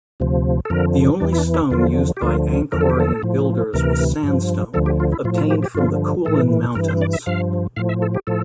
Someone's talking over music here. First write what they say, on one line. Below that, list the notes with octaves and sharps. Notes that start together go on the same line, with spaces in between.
The only stone used by Angkorian builders was sandstone, obtained from the Kulen mountains.
D2 C3 F3
A4
F2 D3 F3 A#4
E2 E3 D4
E4
D4
E4
E2 D3 F3 F4
G4
D2 D3 F3 F4
E2 D3 F3 A#4
A4
G4
A4
A2 F3
D2 C3 E3 A#4
G2 F3
D2 D3 F3 A4
G4
F4
E4
A2 F3 F4
F4
G4
G4
G2 D3 F3 F4
A2 E3 A4
G2 E3 A#4
C5
D5
E5
G2 F3 F5
A2 F3 F5
E5
A4
G4
A2 F3 A4